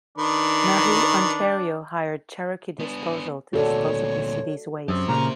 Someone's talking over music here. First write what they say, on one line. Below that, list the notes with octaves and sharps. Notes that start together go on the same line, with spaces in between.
Marie, Ontario hired Cherokee Disposal to dispose of the city's waste.
D#3 D4 B4
B3 D4
D2 A#2 F#4 A4 C#5 D5
F#2 G4 C5
A#2 C#3 A#3 A#5